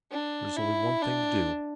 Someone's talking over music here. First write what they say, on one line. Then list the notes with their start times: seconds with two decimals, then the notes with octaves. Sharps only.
There is only one thing to do.
0.11 D4
0.56 E4
1.02 D4